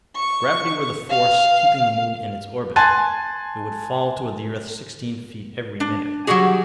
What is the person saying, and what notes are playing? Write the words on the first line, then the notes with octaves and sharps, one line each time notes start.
If gravity were the force keeping the moon in its orbit, it would fall toward the earth sixteen feet every minute.
C#6
F5
G#5 A5 C6 F#6 A6
D4
F#3 G3 C#4 F#4 G#4